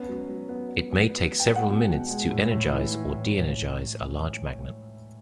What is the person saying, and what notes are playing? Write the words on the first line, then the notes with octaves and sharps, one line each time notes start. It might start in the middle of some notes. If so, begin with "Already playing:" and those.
It may take several minutes to energize or deenergize a large magnet.
Already playing: B3 C#4
F#3
F#3
B3
B3
F#3
B3
B3
G5
G#3
F#5
B2
B2
G#3
A2
A2
E3
E3
A2
A2